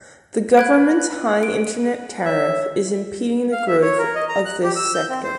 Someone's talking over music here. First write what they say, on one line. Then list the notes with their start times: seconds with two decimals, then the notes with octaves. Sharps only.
The government's high internet tariff is impeding the growth of this sector.
0.57 B4 F#6 G#6 D7
1.43 D7
2.25 C#5 E5
3.52 F5
3.67 E5
3.82 C#5
3.98 A#4
4.15 D#5
4.29 A#5
4.46 F#6
4.63 G4
4.76 E6
4.94 G6
5.09 C4
5.24 C5